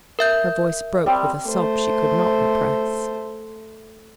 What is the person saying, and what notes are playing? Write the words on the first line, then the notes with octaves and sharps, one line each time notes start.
Her voice broke with a sob she could not repress.
A#4 E5 G6
G3 C4
A3 C5